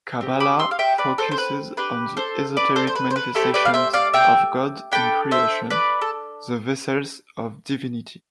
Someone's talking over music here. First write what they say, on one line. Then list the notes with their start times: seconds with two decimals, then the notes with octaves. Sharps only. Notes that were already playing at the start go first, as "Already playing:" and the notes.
Kabbalah focuses on the esoteric manifestations of God in Creation, the vessels of Divinity.
0.21 C4 G4
0.40 B5 D6
0.59 C6 E6
0.71 F5
0.79 E5 G5
0.98 B4 D5
1.18 A4 C5
1.31 C5
1.38 B4
1.77 D4 G4 B4
2.17 A4 C5
2.57 B4 D5
2.76 A4 C5
2.87 C5
2.95 B4
3.10 C5
3.16 B4
3.35 A3 E4 G4 A4 C5
3.54 B4 D5
3.65 F5
3.74 C5 E5
3.93 D5 F5
4.13 E5 G5
4.92 D4 A4 G5 B5
5.31 C5 E5
5.70 B4 D5
6.02 A4